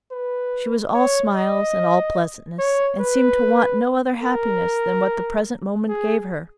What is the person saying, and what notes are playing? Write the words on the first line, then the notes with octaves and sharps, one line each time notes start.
She was all smiles and all pleasantness, and seemed to want no other happiness than what the present moment gave her.
B4
C#5
D#5
C#5
B4
A#4
G#4